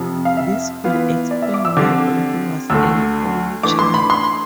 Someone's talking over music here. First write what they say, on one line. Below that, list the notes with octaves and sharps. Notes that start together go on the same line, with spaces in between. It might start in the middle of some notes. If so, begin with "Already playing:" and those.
This could explain why Opie was an only child.
Already playing: F2 C3 F3
F5
E5
E3 B3 F4
D5
E5
D6
E6
D3 F3 C4 G4 D6
D2 D3 A3 E6
E3 A3 D4 D6
C6
B5
C6